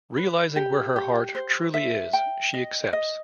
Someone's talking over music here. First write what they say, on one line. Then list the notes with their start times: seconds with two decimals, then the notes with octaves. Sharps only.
Realizing where her heart truly is, she accepts.
0.17 B4
0.56 G4
0.96 G4
1.35 C5
1.74 E5
2.13 G5
2.54 D#5
2.93 D#5